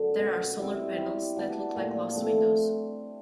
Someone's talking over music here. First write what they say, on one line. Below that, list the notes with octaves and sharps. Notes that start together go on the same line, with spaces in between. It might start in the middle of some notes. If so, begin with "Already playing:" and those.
There are solar panels that look like glass windows.
Already playing: F#2 D3 F#3
B2
G3 C4 E4
G3
B3 D4 F#4
A#2
F3 A3 C4